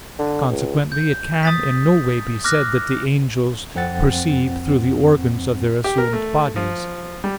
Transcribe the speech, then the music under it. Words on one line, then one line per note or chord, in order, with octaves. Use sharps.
Consequently it can in no way be said that the angels perceive through the organs of their assumed bodies.
D3
C#2
G6
D#6 A6 B6
D6 F6 F#6 A#6
F2 C4 F#5 A6
G4
A#4
A3
F3
G3